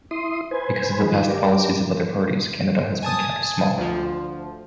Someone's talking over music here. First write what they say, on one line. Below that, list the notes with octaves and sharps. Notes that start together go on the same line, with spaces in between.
Because of the past policies of other parties, Canada has been kept small.
E4 C6 D#6
B4 C5 G#5
D#3 F3 G#3 D#4 G#4 B4
G4 A#4 D5
G#5 A5 D#6
D2 F3